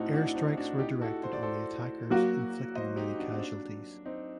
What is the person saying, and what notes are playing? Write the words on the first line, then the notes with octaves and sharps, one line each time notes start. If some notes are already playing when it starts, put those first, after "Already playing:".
Air strikes were directed on the attackers inflicting many casualties.
Already playing: A2 A3 C4 D#4 F#4
D4 F#4
C4 D#4
D4 F#4
D#4 G4
F#4 A4
C5
D5
A4 C5
F#3 A#3 F#4
C5 D#5
D#4 G4
D4 F#4
C4
D4
C4 D#4